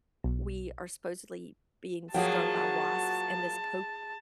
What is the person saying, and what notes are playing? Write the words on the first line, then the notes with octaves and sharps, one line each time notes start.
we are supposedly being stung by wasps, and this poker
B1
F3 F#3 A#3 F#4 G#4 F#5 G5 A5